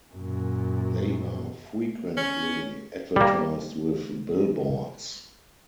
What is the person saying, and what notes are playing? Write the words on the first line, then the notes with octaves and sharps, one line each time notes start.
They are frequently advertised with billboards.
F#2 A#2
C#4
G3 A#3